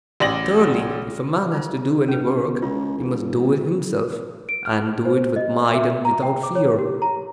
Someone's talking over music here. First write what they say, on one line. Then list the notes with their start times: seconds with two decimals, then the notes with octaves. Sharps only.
Thirdly, If a man has to do any work, he must do it himself, and do it with might and without fear.
0.20 A1 D5 A#6 F#7
1.52 D#4 F4 C5
2.08 G1 C#4 B4
2.62 C#2 F4
2.98 E1
4.49 D7
4.66 F6
5.05 C5
5.36 D#5
5.74 E5
6.05 A#5
6.23 G5
6.43 D6
6.55 C#5
6.79 G4
7.02 A#5